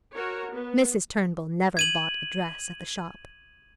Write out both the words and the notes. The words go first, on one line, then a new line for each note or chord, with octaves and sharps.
Mrs. Turnbull never bought a dress at the shop.
F#4 A#4 C#5
B3
G#6 D#7 F#7